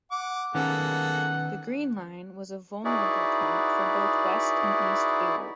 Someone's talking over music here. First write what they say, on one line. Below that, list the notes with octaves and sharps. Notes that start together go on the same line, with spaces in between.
The Green Line was a vulnerable point for both West and East Beirut.
F#5 D6
D#3 A#3 B3 C#4 G#4 A4 F#5
D#4 E4 F#4 G#4 B4 D5